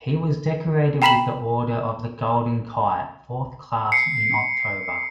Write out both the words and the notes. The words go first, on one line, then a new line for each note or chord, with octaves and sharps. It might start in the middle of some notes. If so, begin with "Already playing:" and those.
He was decorated with the Order of the Golden Kite, Fourth Class, in October.
G5 A#5 B5 B6 E7 F#7
C7 C#7